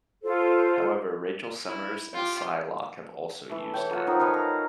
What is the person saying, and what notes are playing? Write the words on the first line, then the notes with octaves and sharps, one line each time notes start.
However, Rachel Summers and Psylocke have also used it.
F4 A4 C5
E4
F4 G4
E3 A3
E3 C#5 G5
F#3 F4 F#4 F#5
D#3 F3 D#4
F#3 B4 C#5 F5
A#5